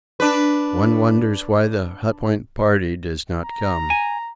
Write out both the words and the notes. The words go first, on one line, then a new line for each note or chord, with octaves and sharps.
One wonders why the Hut Point party does not come.
D4 B4
A#5
G#5